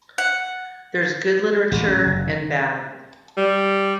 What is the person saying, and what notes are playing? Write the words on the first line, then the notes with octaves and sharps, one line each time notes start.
There's good literature and bad.
F#5
A1
C#4
F#1
D#3
G3